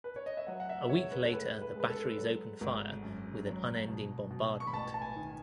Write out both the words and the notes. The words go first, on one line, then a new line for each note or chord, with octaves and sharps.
A week later the batteries opened fire with an unending bombardment.
B4
C#5
D#5
E5
F#3 F#5
F#5
E5
E1 C#5
B4
A4
A2 B4
B4
G#3 B4
A4
F#3
G#1
F#2
F#3
B2
B2
C#6
B5
A1 A5
A5
G#5
D#3